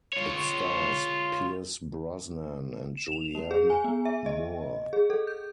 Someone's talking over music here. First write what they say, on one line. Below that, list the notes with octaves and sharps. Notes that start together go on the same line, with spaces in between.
It stars Pierce Brosnan and Julianne Moore.
F4 C#5
E7
F7
A#3
G#4
G#5
B3
E5
D#5
G#4
A4
G6